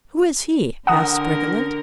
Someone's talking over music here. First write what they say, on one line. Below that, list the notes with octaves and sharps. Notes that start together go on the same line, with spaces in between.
"Who is he?" asked Briggerland.
D3 A#4 F#5 A#5 D#6